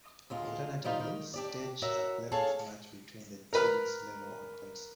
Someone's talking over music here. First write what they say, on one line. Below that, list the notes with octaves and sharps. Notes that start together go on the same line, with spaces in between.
Alternatively, stage a play-off match between the teams level on points.
D2 G#3 F4
F3 G3 D#4 F4
D#3
D4 G4 D5
F#4 A#4 C#5 E5
G#4 A4 C#5 F5 A5
A#4 B4 F6